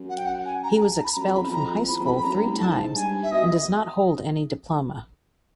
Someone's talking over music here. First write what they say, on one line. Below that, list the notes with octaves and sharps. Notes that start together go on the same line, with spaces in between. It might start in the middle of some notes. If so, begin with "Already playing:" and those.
He was expelled from high school three times and does not hold any diploma.
Already playing: F#2
F#5
G5
F#5
G#5
A#5
A5
A#5
B5
F#2 A#5
F2
B5
E2
F2 A#5
E2 B5
F2
B5
F2
B5
F#2 A#5
G2
A2
G#2 A5
G2 G#5
E5
B2 D#5